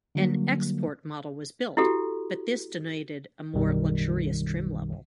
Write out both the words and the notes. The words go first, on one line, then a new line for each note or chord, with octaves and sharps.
An "Export" model was built, but this denoted a more luxurious trim level.
D3 F#3 G3 A#3
E4 F#4 G4 A4
B1 F#2 B2 D#3 G3